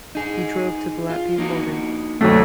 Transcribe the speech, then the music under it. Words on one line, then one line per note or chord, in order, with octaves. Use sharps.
He drove to the Latvian border.
D#4 G#4
F4
A#3 D#4 F#4
D2 F#3 A3